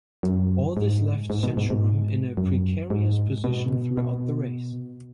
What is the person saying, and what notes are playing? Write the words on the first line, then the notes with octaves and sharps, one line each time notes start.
All this left Santorum in a precarious position throughout the race.
F#2
G#2
G#2
B2
G#2
G#2
F#2
G#2
B2
B2